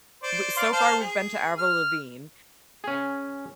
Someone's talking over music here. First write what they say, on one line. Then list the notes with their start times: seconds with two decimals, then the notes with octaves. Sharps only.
w so far we've been to Avril Lavigne,
0.23 C5 D5
0.57 D5 F5 C6
0.72 C5 F5 A5
1.01 G#4
1.58 F6
2.84 C#4 G#4